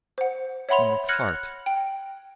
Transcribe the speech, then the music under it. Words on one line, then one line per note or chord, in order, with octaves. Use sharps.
In the cart.
C5 F#5
C#5 E5 F#5 B5 C6 F7
F6 F#6 G#6 A#6 C#7 F#7
G5